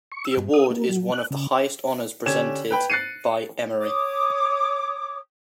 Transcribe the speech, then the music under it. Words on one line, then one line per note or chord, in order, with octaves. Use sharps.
The award is one of the highest honors presented by Emory.
C#6
E6
G2
D#6
A#3
F#3
F#6
C#3
D3 C#4 G4 G#6 E7
B4 G5 B5
F#6 A6 C7 C#7 D#7
C#5 D6 D#6